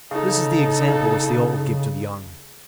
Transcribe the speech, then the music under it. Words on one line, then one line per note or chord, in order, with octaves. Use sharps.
This is the example which the old give to the young.
C#3 D#4 A4